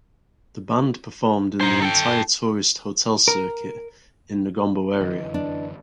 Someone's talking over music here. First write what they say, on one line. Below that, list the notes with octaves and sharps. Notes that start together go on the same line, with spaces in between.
The band performed in the entire tourist hotel circuit in Negombo area.
D#4 C5
A4 G5
A#4
F#2 D3 E3 E4 B4 D#5
D4